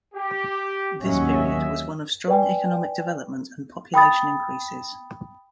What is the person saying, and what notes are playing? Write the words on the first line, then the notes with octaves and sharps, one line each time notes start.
This period was one of strong economic development and population increases.
G4
D#2 F#3 C#4 D#5 E5
B4 D5 G5 G#5
G5 B5 D#6 A6